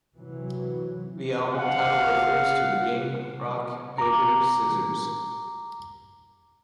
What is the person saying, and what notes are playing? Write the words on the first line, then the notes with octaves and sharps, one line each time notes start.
The album title refers to the game rock-paper-scissors.
C3 E3 F#3
F5 F#5
A#5 D6